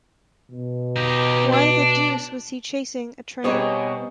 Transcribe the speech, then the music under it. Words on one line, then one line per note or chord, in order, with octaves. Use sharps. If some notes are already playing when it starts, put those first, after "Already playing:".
Why the deuce was he chasing a tramp?
B2
D#4 G4
D4
B2 G3 B3 C4 D#4 G#4 C#5 G#5